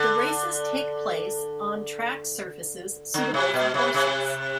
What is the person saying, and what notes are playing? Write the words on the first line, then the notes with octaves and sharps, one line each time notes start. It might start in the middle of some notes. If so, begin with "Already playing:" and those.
The races take place on track surfaces suitable for horses.
Already playing: D3
D3
C3
B2
C3
C3